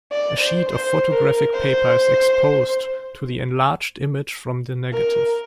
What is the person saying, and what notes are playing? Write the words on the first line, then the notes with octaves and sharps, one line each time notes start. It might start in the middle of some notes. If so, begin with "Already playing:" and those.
A sheet of photographic paper is exposed to the enlarged image from the negative.
D5
C5
C5
A#4
C5
A#4